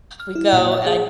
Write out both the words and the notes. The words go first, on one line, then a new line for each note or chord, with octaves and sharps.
we go I
F6
E4
A#2
E5
G#4